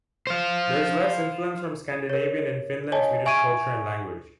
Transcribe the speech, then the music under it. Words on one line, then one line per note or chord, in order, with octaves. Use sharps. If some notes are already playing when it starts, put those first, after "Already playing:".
There is less influence from Scandinavian and Finland-Swedish culture and language.
C5 F5
A#4 C#5
C#5 D#5 G#5 A5
E5 G#5 C#6 G#6 D7 D#7